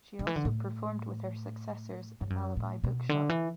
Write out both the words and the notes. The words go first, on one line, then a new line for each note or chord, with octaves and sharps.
She also performed with her successors at Alibi Bookshop.
D3
E3
D3
A2
G2
F#2
A2
B2
D3
E3